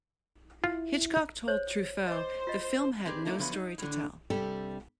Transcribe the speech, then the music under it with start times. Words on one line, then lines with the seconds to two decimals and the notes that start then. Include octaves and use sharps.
Hitchcock told Truffaut "The film had no story to tell".
0.64 E4 F4
1.48 C5 C#5
2.07 C5 D#5 D6
2.47 F4 D#5
3.05 C4 D4 G4 G#4 B4
3.25 A3 A#3 D#4 E4 F#4
3.38 D3 F3 F#3 A3 B3
3.53 D#4
3.78 A2 D3
4.30 C3 G3 D4 G4 A4